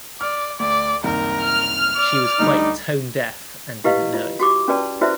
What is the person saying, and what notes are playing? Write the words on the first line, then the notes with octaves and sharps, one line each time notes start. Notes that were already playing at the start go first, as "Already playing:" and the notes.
She was quite tone-deaf, and didn't know it.
D5 F6
D2 D5
F#1 C2 D#3 A#4
F6
D5
D2 D3 G3 D#4
E4 G4 B4 D#5 F5
F4
F#4 G4 D6
C#4 F#4 B4 D5 A5
E4 F#4 B4 C5 D5 E5